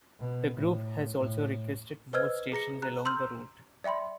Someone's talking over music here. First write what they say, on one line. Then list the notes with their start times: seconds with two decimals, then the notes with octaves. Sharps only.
The group has also requested more stations along the route.
0.19 B2
0.55 A2
1.14 A2
2.13 B4 C5 D#5 E6 F6 G#6
2.52 G#4 A#5 A#6 C#7
2.82 A#5 F#6
3.05 A#5 C6 E6 F6 G6
3.84 D5 E5 G5 B5 C6